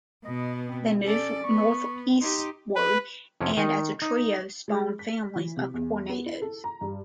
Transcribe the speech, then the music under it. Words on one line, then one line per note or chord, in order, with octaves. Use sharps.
They moved northeastward, and as a trio spawned families of tornadoes.
B2 B3 D#5
C4
C#4 A4 D5
B3 C#6
D#4 G4 C6
B4
F2 C3 C#4
D#3 D#4
D#4
G#3
B6
E3
C3
E2
B3
E4
A4
A#5
G2